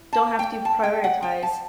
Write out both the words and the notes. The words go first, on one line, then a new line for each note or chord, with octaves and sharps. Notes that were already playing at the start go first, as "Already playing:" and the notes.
don't have to prioritize.
Already playing: E4
A5
G5
A5
G5
F#5
G5
A5